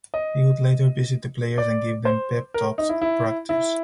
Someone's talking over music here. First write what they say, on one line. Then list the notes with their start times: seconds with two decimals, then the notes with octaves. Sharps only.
He would later visit the players and give them "pep" talks at practice.
0.14 D#5
1.58 D5
2.05 C5
2.54 A#4
2.78 D#4
2.89 E4
3.02 E4
3.49 E4